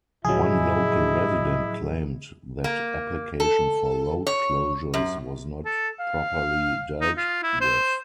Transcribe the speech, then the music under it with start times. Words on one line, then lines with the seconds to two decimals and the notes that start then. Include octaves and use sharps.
One local resident claimed that application for road closures was not properly dealt with.
0.25 A2 C#3 F3 F#3 E4 G#4 D#5
2.64 A#3
3.40 A4
4.27 C#5
4.94 F#2
5.65 A4
6.00 F5
7.01 D#4
7.17 F4
7.43 E4
7.61 C5